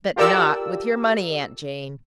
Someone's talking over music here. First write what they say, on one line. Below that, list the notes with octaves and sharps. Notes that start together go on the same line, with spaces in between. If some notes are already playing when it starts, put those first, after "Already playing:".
But not with your money, Aunt Jane.
F4 G4 A4 A#4 D5 E6